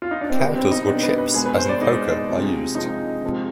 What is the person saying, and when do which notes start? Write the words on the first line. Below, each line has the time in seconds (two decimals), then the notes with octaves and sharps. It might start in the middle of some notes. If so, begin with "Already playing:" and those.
Counters or chips, as in poker, are used.
0.02 F4
0.11 D#4
0.21 D4
0.30 C4
0.40 B2 G3 B3
0.56 C4
0.71 D#4
0.87 B2 G3 D4
1.03 B4
1.18 B4
1.34 B2 G#3 G#4
1.46 B4
1.58 C5
1.69 D5
1.81 B2 G#3 D#4
2.28 C3 F3 G#3
2.75 C3 F3 G#3 D#4
3.22 C3 F3 G#3